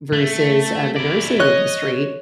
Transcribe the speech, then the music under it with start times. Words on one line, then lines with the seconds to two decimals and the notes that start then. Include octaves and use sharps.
versus, uh, the nursing industry,
0.13 A3
0.96 E4 D5
1.40 C#5 D#5 F#6